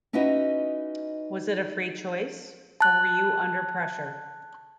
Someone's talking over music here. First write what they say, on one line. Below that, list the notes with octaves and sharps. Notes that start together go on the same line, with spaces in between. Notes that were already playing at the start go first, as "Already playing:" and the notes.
Was it a free choice, or were you under pressure?
C#4 D#4 E4 F#4 B4 D#5
A5 F#6